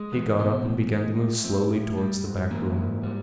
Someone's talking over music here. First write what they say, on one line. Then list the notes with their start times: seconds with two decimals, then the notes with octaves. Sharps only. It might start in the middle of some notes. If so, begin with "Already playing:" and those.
He got up and began to move slowly towards the back room.
Already playing: G#3
0.12 E2 B3
0.39 B2 C4
0.66 E2
0.92 G#3
1.18 A2
1.44 F3 C4
1.71 A2
1.97 G3
2.24 G#2
2.50 E3 A#3
2.78 G#2
3.03 G3